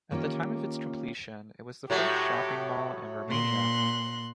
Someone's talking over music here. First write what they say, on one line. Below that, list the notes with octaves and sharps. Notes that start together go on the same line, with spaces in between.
At the time of its completion it was the first shopping mall in Romania.
D#3 A#3 C#4 F4 G4
A2 F#3 A3 G4
A#2 C6 F#6